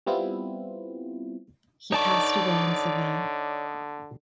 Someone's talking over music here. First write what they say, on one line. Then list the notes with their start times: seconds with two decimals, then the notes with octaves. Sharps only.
He passed away in Seville.
0.07 G3 B3 C4 E4 F4
1.92 D3 D#4 C#5 D5 A5 C#6